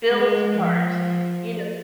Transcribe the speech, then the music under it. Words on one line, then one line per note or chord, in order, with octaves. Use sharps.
bills part, you know?
G#3
F3